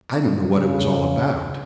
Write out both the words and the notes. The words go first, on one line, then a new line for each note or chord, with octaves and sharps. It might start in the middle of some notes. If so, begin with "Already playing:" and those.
I don't know what it was all about.
C#3